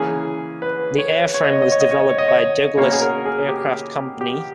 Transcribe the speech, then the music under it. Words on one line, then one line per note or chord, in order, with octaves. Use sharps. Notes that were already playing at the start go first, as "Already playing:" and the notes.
The airframe was developed by Douglas Aircraft Company.
Already playing: C#3 E3 A#3 C#4 G#4
B4
C#5
C#5
D#5
C#5
D#5
C#5
D#5
C#5
D#5
C#5
D#5
C#5
B2 A#3 C#4 C#5
G#4
A#4
G#4
G4
G4